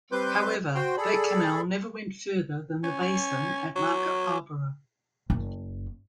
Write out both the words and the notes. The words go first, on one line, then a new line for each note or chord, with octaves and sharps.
However, that canal never went further than the basin at Market Harborough.
G3 C4 B4 C6 D6 G6
F#4 C5 G5 C6
G#4 A4 D5 B5
C#4
F#3
F#1